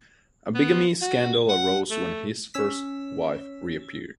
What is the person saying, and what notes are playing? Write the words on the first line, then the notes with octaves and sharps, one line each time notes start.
A bigamy scandal arose when his first wife reappeared.
B3
F#4
F#5
A3
C#4 E6 B6